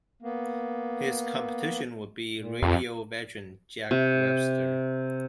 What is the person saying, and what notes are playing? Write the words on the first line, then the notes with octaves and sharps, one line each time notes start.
His competition would be radio veteran Jack Webster.
A#3 B3
A#2
F2
C3